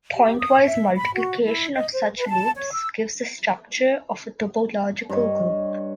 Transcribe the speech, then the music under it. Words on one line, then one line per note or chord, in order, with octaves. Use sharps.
Pointwise multiplication of such loops gives the structure of a topological group.
G4
D#6
E5
B5
F#4
E4
D#5
C5
B4
A5
C#5
E6
G2 C#5 D#5